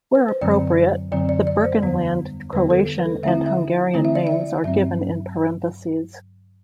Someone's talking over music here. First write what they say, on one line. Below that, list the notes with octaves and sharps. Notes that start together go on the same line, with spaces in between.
Where appropriate, the Burgenland Croatian and Hungarian names are given in parentheses.
B4
C5
F#2 D3 F#3 C4 D5
F#2 D3 F#3 C4 D5
D5
D5
C5
E2 D3 G3 B3
E2 D3 G3 B3 B4
A4
B4
A4
D3 A3 C4 E4 E5
E5
D3 A3 C4 E4
E5
D5
E5
G2 F#3 C4 E5